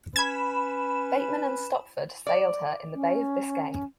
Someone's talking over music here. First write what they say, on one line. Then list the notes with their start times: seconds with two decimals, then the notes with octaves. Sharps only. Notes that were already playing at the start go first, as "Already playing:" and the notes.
Bateman and Stopford sailed her in the Bay of Biscay.
0.16 C#4 B4 B5 G#6 E7
2.27 D5
2.94 C#4